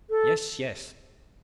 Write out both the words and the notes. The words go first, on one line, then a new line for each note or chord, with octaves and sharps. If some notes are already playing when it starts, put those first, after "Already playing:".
Yes! yes!
A4